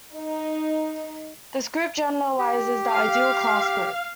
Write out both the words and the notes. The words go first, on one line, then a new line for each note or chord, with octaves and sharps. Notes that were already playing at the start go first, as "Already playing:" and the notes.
This group generalises the ideal class group.
D#4
G4
F5